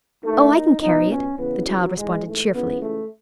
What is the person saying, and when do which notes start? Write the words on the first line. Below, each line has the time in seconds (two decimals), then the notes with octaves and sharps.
"Oh, I can carry it," the child responded cheerfully.
0.23 D#2 D#3 A3
0.52 D#4
0.80 C#2 B2 D#4
1.10 C#4
1.38 E2 C#3 E3 B3
1.66 F#3
1.96 A1 G#2 E3 G#3
2.25 A3
2.53 C#2 C#3 E3 B3
2.82 A3